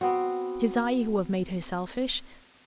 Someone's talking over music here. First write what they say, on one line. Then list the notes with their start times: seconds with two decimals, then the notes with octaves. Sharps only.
It is I who have made her selfish.
0.01 B3 C4 F#4